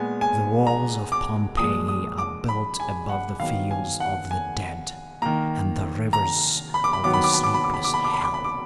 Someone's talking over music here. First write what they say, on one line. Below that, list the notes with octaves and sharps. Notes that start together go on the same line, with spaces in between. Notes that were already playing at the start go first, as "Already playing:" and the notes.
The walls of Pompeii are built above the fields of the Dead, and the rivers of the sleepless Hell.
Already playing: A#2 G#3 B3 G#5
G#5
A#5
D6
A#2 F3 G#3 D#6
D#6
D6
B5
G#5
F#5
D#3 F#3 B3 F5
G#5
F#5
G#5
D#3 A#3 A#5
A#5
B5
D6
B5
D#3 F#3 B3 D6
B5
D6
B5
D6
B5
D6
B5
D6
B5
D6
B5
D6
B5
D6